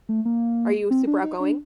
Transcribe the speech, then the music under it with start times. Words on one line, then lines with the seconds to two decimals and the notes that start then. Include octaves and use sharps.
Are you super outgoing?
0.09 A3
0.25 A#3
0.90 C4
1.07 D4
1.23 D#4
1.40 D4